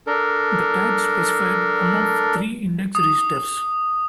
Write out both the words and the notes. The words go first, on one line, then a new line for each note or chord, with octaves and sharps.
The tag specified one of three index registers.
D4 A4 A#4
D#6